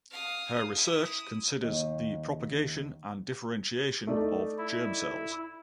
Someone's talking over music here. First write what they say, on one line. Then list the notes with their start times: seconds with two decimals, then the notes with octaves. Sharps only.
Her research considers the propagation and differentiation of germ cells.
0.10 F5 D#6
0.74 E4 D#6
1.62 D#2
4.07 A3 D#4 D5
4.58 E4